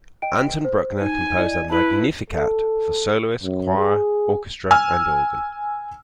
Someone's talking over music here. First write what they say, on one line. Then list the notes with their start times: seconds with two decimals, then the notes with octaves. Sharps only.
Anton Bruckner composed a "Magnificat" for soloists, choir, orchestra, and organ.
0.22 D#5 G5 D7
0.65 C5
1.02 D#4 G#5
1.38 E4 D5 D#5
1.70 E4 B4 A5 F#7
2.30 A4
3.43 F#2
3.78 G#4
4.71 G#5 E6 F6